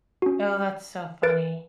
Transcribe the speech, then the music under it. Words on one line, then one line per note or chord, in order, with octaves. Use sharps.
Oh, that's so funny.
C#4 F#4
A#4 B4 A6 D7